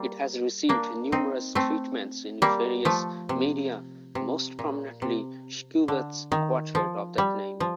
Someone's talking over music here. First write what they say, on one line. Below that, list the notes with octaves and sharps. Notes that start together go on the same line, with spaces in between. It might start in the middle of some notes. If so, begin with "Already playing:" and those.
It has received numerous treatments in various media-most prominently Schubert's quartet of that name.
Already playing: G3 A#3
A#3 D4
C4 D#4
A3 C4
G3 A#3
F3 A3
C3
C3
A#2
C3
D3
D#3
F3
G3
F3